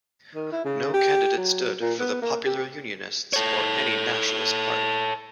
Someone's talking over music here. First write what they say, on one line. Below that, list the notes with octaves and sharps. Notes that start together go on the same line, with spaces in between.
No candidate stood for the Popular Unionists or any nationalist party.
D#3
E4
C#3
G4
F#3
A#2
B3
A#3
G4
A4 C#5